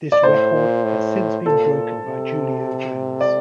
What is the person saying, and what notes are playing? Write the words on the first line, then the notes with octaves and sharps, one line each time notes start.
This record has since been broken by Julio Jones.
D5
A2 C5
A#2
A2
A#2 A4
C3
D5